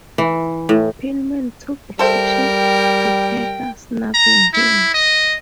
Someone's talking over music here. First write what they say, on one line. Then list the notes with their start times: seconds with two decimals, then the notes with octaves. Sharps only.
Pillman took exception to Parker snubbing him.
0.18 E3
0.69 A2
1.99 G3 A4 A#4 C5 E5 G5
4.14 A#5
4.54 E4
4.94 D#5